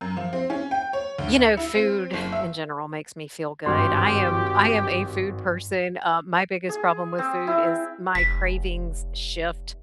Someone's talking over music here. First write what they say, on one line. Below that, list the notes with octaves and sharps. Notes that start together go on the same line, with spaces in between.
You know, food in general makes me feel good. I am I am a food person, um, my biggest problem with food is my cravings shift
F#2
F3
C4
C#4
G5
C#5
D2
C#7
E4
C4
F#1
E5
G#1 G2 F#4 G4 C6 F6
G#4
C4
E4
F1 B6